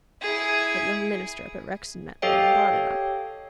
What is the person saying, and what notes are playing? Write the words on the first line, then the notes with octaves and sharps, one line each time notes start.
That young minister up at Rexton met me and brought it up.
E4 G#4
G4 A4 C#5 D#5 F5 G5